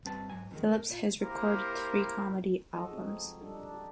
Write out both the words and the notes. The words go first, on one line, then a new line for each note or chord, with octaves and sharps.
Philips has recorded three comedy albums.
G2 C4 B4 A5
G#2 F#3 G#5
F2 D#3 G#3
A#3
A#2 F4
A#3 E4 G4 A#4 C5
F3 F#3 F#4 A4 D#5
C4 D#4 G#4
F3 G#3
G3 D4 D#4 A4
D4
G4